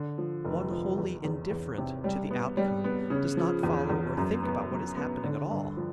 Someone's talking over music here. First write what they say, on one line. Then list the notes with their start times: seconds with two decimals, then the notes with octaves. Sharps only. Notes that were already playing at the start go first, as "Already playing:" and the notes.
One wholly indifferent to the outcome does not follow or think about what is happening at all.
Already playing: D3
0.18 F3
0.45 F1
0.71 F3
0.98 E2
1.24 E2
1.51 E2
1.78 C3
2.04 G3
2.31 B3
2.57 G3
2.84 B3
3.10 C#3
3.37 F3
3.63 E2
3.90 E2
4.17 F#2
4.43 B3
4.71 F#3
4.97 B3
5.24 D3
5.51 G2
5.77 F3